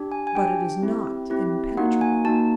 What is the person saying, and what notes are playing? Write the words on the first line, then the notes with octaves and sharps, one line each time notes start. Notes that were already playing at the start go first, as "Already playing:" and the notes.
But it is not impenetrable.
Already playing: D4 G4
G#5
G#5
D4 G4 G5
C4 E4 G4
C4 E4 G4
A#3 D#4 F#4 F#5
G#5
A#3 D#4 F#4 A5